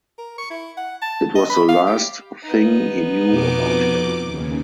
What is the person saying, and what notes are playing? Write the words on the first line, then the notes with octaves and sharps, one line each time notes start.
It was the last thing he knew about him.
A#4
C#6
E4
F#5
A5
D#5
B5
F5
G4
B3 D#4
F2 B2 D6
D#2 C#3